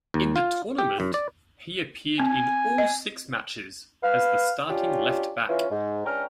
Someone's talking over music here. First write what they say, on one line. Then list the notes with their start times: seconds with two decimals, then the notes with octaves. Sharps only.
In the tournament, he appeared in all six matches as the starting left-back.
0.14 D#2
0.36 F4
0.79 G4
1.00 F#2
1.14 D5
2.20 C4 G#5
2.78 D#5
4.03 B4 F5
4.69 F#3 C#4 D4 F4 G4
5.49 E3 C#4 F4
5.71 G#2
6.06 C#2 C#4 D4 G5 A#5 F6